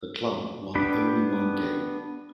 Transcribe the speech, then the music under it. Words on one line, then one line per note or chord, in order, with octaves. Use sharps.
The club won only one game.
B3 D4 G4 B5